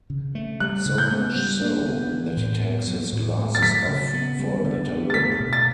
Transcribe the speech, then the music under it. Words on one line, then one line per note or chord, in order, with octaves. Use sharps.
So much so, that he takes his glasses off for a better look.
C#3
A3
G3 F#6
C#3
G6
B3
G3
D4
B3
E3
A2
B3
F#3
A2
A3
A6
F#3 B6
C#3
B3
G3
D3
B3
A6
A3 B6
B2
A6